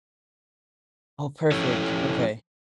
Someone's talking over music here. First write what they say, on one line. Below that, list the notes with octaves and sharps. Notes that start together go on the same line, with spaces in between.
Oh, perfect, okay.
F3 C#4 E4 G4 A4 C#5